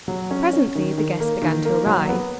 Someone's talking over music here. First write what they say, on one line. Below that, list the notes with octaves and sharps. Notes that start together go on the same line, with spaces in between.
Presently the guests began to arrive.
F#3
C#4
C#4
D#3
D#3
A#3
D#3
A#3
F#3
B3